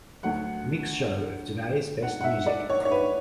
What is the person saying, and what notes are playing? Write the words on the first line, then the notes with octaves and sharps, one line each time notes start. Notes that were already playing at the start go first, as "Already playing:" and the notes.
Mix show of Today's Best Music.
D2 D3 F#3 F#5
F#5
F#5
E5
D5
C#5
C#5
B4